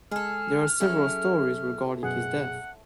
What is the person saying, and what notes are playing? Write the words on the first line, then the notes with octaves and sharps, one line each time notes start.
There are several stories regarding his death.
G#3 G#4 A4 F6
F#3 C#4 E4 G#4 A4
F#2 B2 G#4 F#5